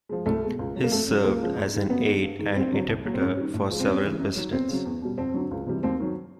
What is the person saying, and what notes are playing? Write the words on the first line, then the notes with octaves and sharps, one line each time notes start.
His served as an aide and interpreter for several Presidents.
F3 G#3
C2 A3
B2 G#3
C#2
C#3 F#3
A#3
F2 A3
C#3 F#3
C#2 A#3
C#3 F3 G#3
G#2
D#3 G#3
F#2 B3
D#3 G#3
G2
D#3 G#3
G2 C4
D3 F#3
C2
A#2 F#3
C4
G#2 C#4
D#3 G3
A2
F3 G#3
C4
E2 C#4
C#3 E3 G#3
F#2
D#3 F#3
E2 C4
C#3 F#3
E2
B2 G3
F2 C4
D3 F#3
C#2
C3 E3 G3
D#2 C4
D#3 F#3